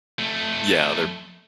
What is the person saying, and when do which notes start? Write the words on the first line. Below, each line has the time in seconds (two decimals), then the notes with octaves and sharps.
Yeah, other
0.19 F2 A3